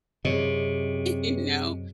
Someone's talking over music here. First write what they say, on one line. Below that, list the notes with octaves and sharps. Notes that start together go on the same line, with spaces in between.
you know,
F#2 C3 C4 G#4 C#5 D#5